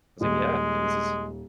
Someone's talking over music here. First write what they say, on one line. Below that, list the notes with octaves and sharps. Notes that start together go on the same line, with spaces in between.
was like, "Yeah, like, this is"
D#1 G#3